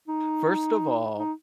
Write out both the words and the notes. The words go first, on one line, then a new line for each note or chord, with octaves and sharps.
First of all,
D#4
D#4